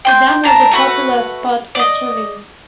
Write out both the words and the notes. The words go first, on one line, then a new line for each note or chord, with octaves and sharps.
The dam was a popular spot for swimming.
G5 C6 G6
D4 A#4 A5
A3 F#4 B4
D5 D#5